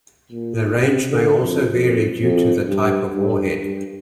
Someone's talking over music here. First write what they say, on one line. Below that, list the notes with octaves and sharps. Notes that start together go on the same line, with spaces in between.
The range may also vary due to the type of warhead.
A#2
C3
D3
F2
F2
F2
G2
G2
G2